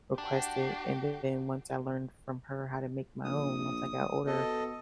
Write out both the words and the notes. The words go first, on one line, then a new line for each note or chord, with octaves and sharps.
requested, and then once I learned from her how to make my own once I got older,
D4 F#4 G4
A#1 D#6
B2 A4 D#5